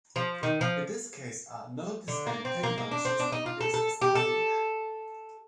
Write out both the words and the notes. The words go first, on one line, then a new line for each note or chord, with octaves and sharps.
In this case, a notice-and-takedown system is established.
F3
D#3
F3
D3
A#3
C4
A#3
A#3
D4
C4
D4
D#4
F4
A4
A4
G4
A4